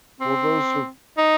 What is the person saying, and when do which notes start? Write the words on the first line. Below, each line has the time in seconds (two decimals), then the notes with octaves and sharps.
Well, those are
0.20 C4
1.17 D#4